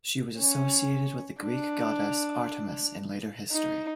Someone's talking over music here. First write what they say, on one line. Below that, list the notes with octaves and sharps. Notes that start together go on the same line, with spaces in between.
She was associated with the Greek goddess Artemis in later history.
C#4
D4
D#4